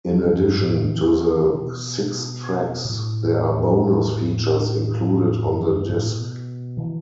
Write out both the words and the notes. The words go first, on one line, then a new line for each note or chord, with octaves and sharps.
In addition to the six tracks, there are bonus features included on the disc.
G2
A2
E3
B2
A2
A2
F#2
G2
A2
B2
E3